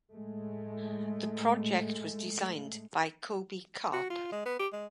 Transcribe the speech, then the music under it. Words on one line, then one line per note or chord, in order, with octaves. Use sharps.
The project was designed by Kobi Karp.
A2 G#3 A3
F#4
F4
G#3
B3
G4
G#3